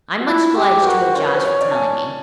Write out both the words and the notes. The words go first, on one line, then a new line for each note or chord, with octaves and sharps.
I'm much obliged to you, Josh, for telling me.
F#4
E4 F4
G4 G#4
G#4
B4
F#4 A#4
C5
C#4 A#4
B4
C5
C#5
D5
A5
G#5